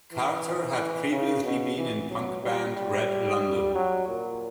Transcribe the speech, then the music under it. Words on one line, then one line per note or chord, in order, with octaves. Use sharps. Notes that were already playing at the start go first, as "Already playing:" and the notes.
Carter had previously been in punk band Red London.
E3
E3
C#3
B2
E3
F#3
G3
G3
F#3
A#2